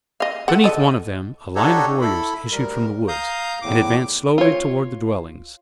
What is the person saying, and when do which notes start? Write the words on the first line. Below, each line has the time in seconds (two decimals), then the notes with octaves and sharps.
Beneath one of them, a line of warriors issued from the woods, and advanced slowly toward the dwellings.
0.20 D#5 F5
0.48 A4 F#5
0.64 A4 D#5
1.55 D4 D#4 F#4 G4 A4 C#5
2.01 E4 A4 B5
2.51 D2 G3 A#4
3.08 F5 A#5 D#6 G6
3.62 E2 A2 D6
4.38 F4 C#5